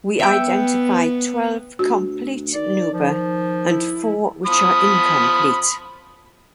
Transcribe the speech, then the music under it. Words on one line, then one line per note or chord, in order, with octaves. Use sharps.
We identify twelve complete nuba and four which are incomplete.
B3 E5 G5
D2 F#4
D#3 D5
F3
E4
F3 B5 D#6